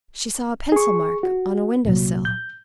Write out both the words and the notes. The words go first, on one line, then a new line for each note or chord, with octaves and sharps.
She saw a pencil-mark on a window-sill.
G#4 C#6
F#4
C2 A#2 F#3
G6